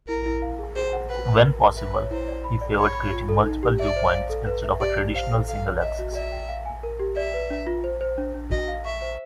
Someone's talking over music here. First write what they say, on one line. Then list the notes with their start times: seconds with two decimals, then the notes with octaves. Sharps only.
When possible, he favored creating multiple viewpoints, instead of a traditional single axis.
0.08 E4 A#4
0.26 E4
0.42 F5
0.59 G#4
0.75 G#4 C5
0.93 F#5
1.09 B4 F#5
1.27 F#5
1.44 A#4
1.60 A#4
1.77 B4 E5
1.94 C#5
2.11 E4 C5
2.28 D5
2.44 B5
2.61 D5
2.78 C#5 B5
2.95 B5
3.12 F4
3.29 A4
3.46 D#4
3.63 G4
3.79 D5 E5
3.96 C5
4.14 F5
4.29 A4
4.46 B4
4.64 E5
4.80 G4 D5
4.97 G4
5.14 C5 F5
5.30 A4
5.48 A4 F5
5.65 C#5
5.81 D#5 E5
5.99 F#4
6.15 D5 E5
6.32 G5
6.49 F5
6.66 G#5
6.83 A#4
6.99 G4
7.16 D5 E5
7.34 B4
7.50 D4
7.67 F4
7.84 C5
8.01 C5
8.18 D4
8.34 D4
8.51 F#4 D#5
8.68 F5
8.85 E5 C#6
9.02 C5